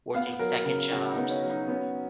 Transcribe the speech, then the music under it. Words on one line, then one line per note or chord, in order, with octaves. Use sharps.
working second jobs,
B3 F5
F#3 A#4
C#3 A#4
C#3 F#4
D#4
B3
C#4
F#3
D#4
B3 C#4